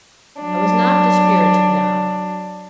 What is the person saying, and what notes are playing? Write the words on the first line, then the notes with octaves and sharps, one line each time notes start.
I was not dispirited now.
F#3 D4